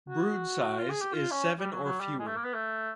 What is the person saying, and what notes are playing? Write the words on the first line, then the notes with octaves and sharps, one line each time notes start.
Brood size is seven or fewer.
F#4
F4
G#4
G4
F4
C#4
G3
F#3
F#3
G3
G#3
A3
A#3
B3
A3